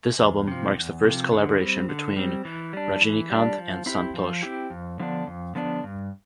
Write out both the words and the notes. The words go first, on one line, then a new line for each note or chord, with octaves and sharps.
This album marks the first collaboration between Rajinikanth and Santhosh.
E2
C3 F3
E2
C3 F3
D3
G3 C4
D3
G3 C4
E3
G3 D4
E3
G3 D4
F3
C4 E4 G4
F3
C4 E4 G4
F2
D3 F3 B3 D4
F2
D3 F3 B3 D4
G2